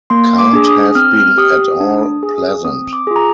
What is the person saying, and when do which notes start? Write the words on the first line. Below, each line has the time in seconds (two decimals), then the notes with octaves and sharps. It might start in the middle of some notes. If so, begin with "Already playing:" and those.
Can't have been at all pleasant.
0.10 A#3 C6
0.38 D6
0.53 D4 G#4
0.67 D#6
0.95 C4 F6
1.17 F6
1.38 G4 D#6
1.80 D4
2.23 G#4
2.65 C4 D#6
2.93 D6
3.07 F4 G#4
3.16 A#5